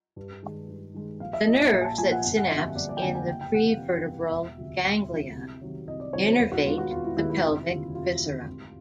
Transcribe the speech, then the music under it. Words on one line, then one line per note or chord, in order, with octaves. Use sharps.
The nerves that synapse in the prevertebral ganglia innervate the pelvic viscera.
G2
D#3 G#3
G2
D#3 G#3
A#1 F5
E5
A#2 F3 A#3 D#5
D#5
A#1 E5
G#5
A5
A#2 F3 A#3 G#5
F#5
G1 G#5
F#5
D#5
F2 D3 F#3 A#3 E5
E5
G1 D5
D5
G5
F2 D3 F#3 A#3 G#5
G#5
F#1 G5
G5
E2 C3 F#5
F5
F#1
E2 C3
E1 E5
D2 C3 F3
E1
D2 C3 F3
C2
C3 D#3 F#3
C2 D#5
D5
C3 D#3 F#3 C#5
C5
E1 B4
F#4
D#2 D#3 G#3 B3 F4
F#4
E1 F4
E4
D#2 D#3 G#3 B3 E4
E4
F1 E4
D#2 D3 F4
F1 F4
D#2 D3
G#1